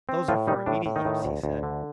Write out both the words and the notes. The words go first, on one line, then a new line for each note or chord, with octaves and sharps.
"Those are for immediate use," he said.
C4
A2 F3 F4
D#3 G3 D#4
A2 D4
A2
D#3 D#4
A2
D2
D2
D3